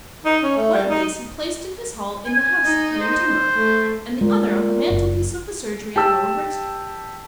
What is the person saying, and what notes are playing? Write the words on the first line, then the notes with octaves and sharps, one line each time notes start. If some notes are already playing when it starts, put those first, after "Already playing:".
One of these he placed in his hall in the house at Kennington Road, and the other on the mantelpiece of the surgery at Lower Brixton.
D#4
C#4
A3
G3
D#4
G#5
D#4
C5
A3
A#2 G#3
F#1
G4 A5 E6